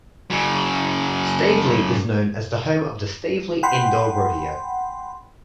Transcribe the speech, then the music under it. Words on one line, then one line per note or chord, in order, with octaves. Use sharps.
Stavely is known as the home of the "Stavely Indoor Rodeo".
F#2 C#3
F#5 G5 B5 C6